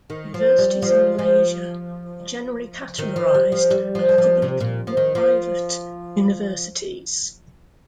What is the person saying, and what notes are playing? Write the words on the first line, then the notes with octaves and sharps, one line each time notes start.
Universities in Malaysia are generally categorised as public and private universities.
D#3
F3
G3
F3
F3
D#3
F3
G3
F3
G3
F3
G3
F3
C3
A#2
F3
D#3
F3